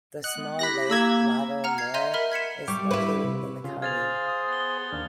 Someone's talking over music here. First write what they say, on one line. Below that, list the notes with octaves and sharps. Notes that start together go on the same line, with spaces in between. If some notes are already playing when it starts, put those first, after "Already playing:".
The small lake Lago Moro is located in the commune.
D#5 F#5 F#6
G#3 B3
E4 G4 B5 F#6 A#6
A#3 B5 E6 G#6
F#5 A#5 F6
G#6 C7
D#5 E5 A#5 C6 G6 D#7
A#4 E5 B5 F6
G#6 B6 C#7 E7
G3 G4 C#6 D6
E4 B4
C3
C#3 F4
G#4 C5 F5 G#6 A6 F7
D#6
B3 A6 G7
D#2 D4 F5